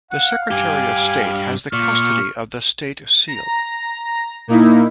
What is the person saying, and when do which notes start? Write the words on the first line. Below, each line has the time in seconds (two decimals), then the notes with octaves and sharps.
The Secretary of State has the custody of the State Seal.
0.11 F5 F#5
0.51 G2 G4 G#5
1.73 A#2 C#6 F6
3.27 A#5 A#6
4.48 A#2 A#3 D#4 E4